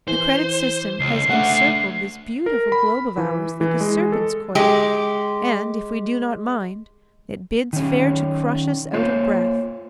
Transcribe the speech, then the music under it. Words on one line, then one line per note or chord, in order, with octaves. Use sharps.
The credit system has encircled this beautiful globe of ours like a serpent's coil, and if we do not mind, it bids fair to crush us out of breath.
E3 C5
C#2 C7
A3 D4 E5 F#5
A#4
B5
E3
E3
G#3
A4
G#3 G4
D#3 C#4
A#3 F4 C5 C#5